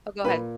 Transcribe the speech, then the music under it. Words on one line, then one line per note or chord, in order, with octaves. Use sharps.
Oh, go ahead.
A#2 B4